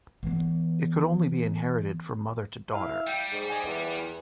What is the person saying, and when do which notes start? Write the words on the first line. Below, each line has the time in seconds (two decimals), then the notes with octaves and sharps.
It could only be inherited from mother to daughter.
0.23 E3 B3
2.72 E4 F5
3.07 G3 G5
3.32 G#2
3.49 G#2 D#5 G#5
3.65 E2